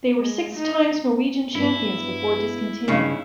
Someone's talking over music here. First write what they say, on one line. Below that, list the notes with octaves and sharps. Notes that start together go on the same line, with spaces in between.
They were six times Norwegian Champions before discontinuing.
G#3
D#4
G2 B3 E4
G2 C#3 C#4 D#4